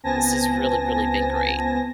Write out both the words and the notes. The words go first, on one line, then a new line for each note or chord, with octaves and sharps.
this has really, really been great.
C#2 B3 C4 G#5 A5 A#6